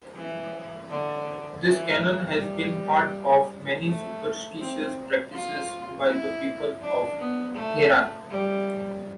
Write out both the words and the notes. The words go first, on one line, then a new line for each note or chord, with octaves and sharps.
This cannon has been part of many superstitious practices by the people of Tehran.
E3
D3
E3
G3
A3
C4
F4
E4
D4
B3
A3
G3